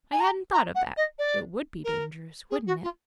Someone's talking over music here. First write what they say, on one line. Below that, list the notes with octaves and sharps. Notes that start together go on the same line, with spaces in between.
"I hadn't thought of that--it would be dangerous, wouldn't it?"
G#5
A#5
A#5
F#5
D#5
D5
A#4
G#4
F#4
F4